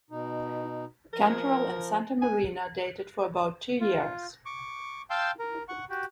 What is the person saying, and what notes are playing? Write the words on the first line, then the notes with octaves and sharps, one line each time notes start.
Cantoral and Santamarina dated for about two years.
B2 D#4
F3 A#4
G#5
F4
C#6 D6
F5 G5 A5 C6 E6 G6
A#4
F#5 C#6
F#4 G4